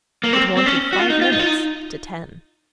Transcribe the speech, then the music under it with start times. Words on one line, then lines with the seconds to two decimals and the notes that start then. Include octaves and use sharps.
It wanted five minutes to ten.
0.24 A#3
0.33 C4
0.57 C4
0.66 C#4
0.93 F#4
0.99 F4
1.10 D#4
1.21 F4
1.32 D#4
1.39 F4
1.46 D#4